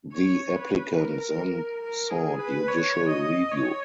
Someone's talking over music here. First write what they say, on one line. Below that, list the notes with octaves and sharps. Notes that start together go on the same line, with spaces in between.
The applicant then sought judicial review.
C#5
B4
A#4
A#4
G#4
B4
C#5
D#5
C#5